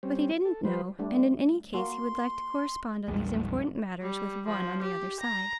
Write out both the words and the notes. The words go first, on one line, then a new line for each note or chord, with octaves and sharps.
But he didn't know, and in any case he would like to correspond on these important matters with one on the other side.
G3 C4 C#4
A4
F3 G3 B4 C5
G3 A3 D4
A#3 F#4 C6
A#1 E2 G3 G#3
G3
F3
G4
A#5